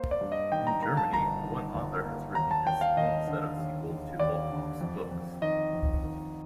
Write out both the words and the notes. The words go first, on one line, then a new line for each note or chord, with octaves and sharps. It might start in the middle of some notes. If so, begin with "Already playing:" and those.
In Germany, one author has written his own set of sequels to Volkov's books.
Already playing: A#3 C5
D5
G2
D#5
D#3 G5
A#5
A#3 A#5
A5
G1 A#5
D#3
G1
A#3
D#2 A#5
A5
D#2 G5
F5
D#2 D#5
D3
D#2
D#2
D#2 D5
D3
F2
F2
D#3 D#5
F2
D#3